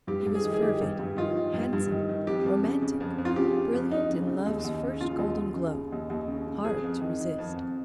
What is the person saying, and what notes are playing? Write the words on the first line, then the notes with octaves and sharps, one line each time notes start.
He was fervid, handsome, romantic, brilliant in love's first golden glow, hard to resist.
G2 G4
G2
G#4
D#3
G#4
D#3 G4
G2
G2
D#3 F4
D#3
G2
G2
D#3
D#3
F2 G4
F2
C#3
C#3
F2
F2
F4
C#3 G4
C#3
F2
F2 D#4
C#3
C#3
D#2
D#2
C#3
C#3 F4
D#2
D#2
C#3
C#3
D#2
D#2
C#3
C#3
F2 G#4
F2
D#3
D#3
F2
F2